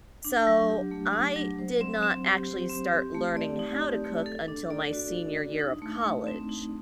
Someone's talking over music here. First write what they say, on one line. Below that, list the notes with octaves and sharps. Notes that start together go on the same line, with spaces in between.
So, I did not actually start learning how to cook until my senior year of college,
D4
F#3
G4
A3
D4
F#3
C5
C4
C4
G4
C5
C4
G4
A3
D5
D#4
G4
A3
A4
D4
D5
F#4
A4
D4
D#4
A3
A3
C4
D#4